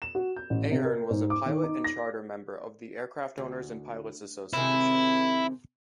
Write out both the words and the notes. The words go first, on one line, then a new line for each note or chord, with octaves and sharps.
Aherne was a pilot and charter member of the Aircraft Owners and Pilots Association.
E7
F#4
G6
A1
C3
A#4
G#2
D6
D#3
D#4
A#6
D2
C3 D#3 G#3 E4